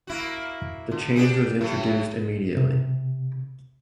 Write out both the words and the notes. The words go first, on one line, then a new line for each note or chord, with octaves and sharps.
The change was introduced immediately.
A#3 E4 F#4
D3
D4 G4 G#4
A2 F#3
C3